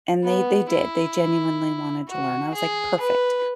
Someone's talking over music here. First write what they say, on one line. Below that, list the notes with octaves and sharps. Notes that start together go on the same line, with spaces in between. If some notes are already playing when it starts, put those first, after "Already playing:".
and they they did, they genuinely wanted to learn, I was like, "Perfect,
B3
E4
F#4
G#4
B4